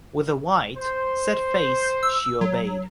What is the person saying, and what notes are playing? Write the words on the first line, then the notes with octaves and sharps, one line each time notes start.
With a white, set face she obeyed.
C5
E6
F#3